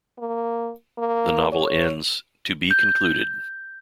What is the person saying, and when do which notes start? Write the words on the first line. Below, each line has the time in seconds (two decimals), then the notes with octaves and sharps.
The novel ends "To Be Concluded".
0.18 A#3
0.98 A#3
1.52 C#5
2.71 G6